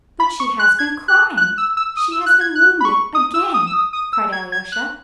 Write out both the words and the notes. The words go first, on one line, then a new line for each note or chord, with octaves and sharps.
"But she has been crying--she has been wounded again," cried Alyosha.
B5
C#6
F#6
G#6
F#6
F#6
E6
E6
D#6
E6
F#6
G#6
F#6
B5
C#6
D#6
E6
D#6
E6
D#6
D#6
E6
G#6
G#6
F#6